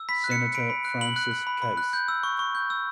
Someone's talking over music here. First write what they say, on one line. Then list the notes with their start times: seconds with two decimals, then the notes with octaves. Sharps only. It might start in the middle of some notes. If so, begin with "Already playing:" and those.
Senator Francis Case.
Already playing: E6
0.09 B5 B6
0.24 F#6
0.31 C#7
0.40 F#6
0.55 B5 D7
0.70 B5
0.85 F#6
1.01 B5 F#7
1.16 F#6
1.31 F#6
1.47 B5
1.62 B5
1.77 F#6
1.93 G6
2.08 E6
2.23 C#6
2.39 C#6
2.55 G6
2.70 E6